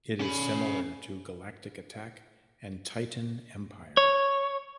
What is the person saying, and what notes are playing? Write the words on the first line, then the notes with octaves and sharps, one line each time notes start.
It is similar to "Galactic Attack" and "Titan Empire".
C#4 B5
C#5